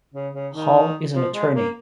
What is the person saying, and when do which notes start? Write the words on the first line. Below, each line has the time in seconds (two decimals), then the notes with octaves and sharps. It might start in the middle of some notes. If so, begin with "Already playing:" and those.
Hall is an attorney.
0.14 C#3
0.34 C#3
0.53 D#3
1.14 F3
1.34 G#3
1.55 A#3